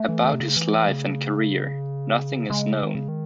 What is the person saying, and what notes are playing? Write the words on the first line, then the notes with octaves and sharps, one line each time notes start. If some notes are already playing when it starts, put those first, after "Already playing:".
About his life and career, nothing is known.
Already playing: A3
E3
D#3
C3
C#3
E3
C#3
C#3 G#3
D#3
C#3
D#3